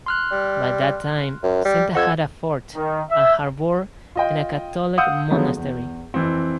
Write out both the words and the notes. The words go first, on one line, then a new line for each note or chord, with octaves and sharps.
By that time Senta had a fort, a harbour and a Catholic monastery.
C6 F6 F#6
G3
F#2
G3
F2 F#5 E6 G#6
D#3
E5
F4 D#5 G5
F5 F#5 D#6 E6 G6
D3 F3 F#3 G#3 B3
E2
F2 E3 C4